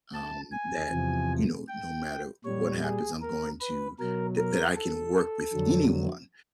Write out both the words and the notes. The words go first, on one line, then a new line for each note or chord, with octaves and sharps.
um, that, you know, no matter what happens, I'm going to that that I can work with anyone,
A5
G#5
E2 C3 F3
G5
A#2 G3 C#5
G#4
A#4
B4
B2 F#3 A#4
A#4
A4
F2 D3 F#3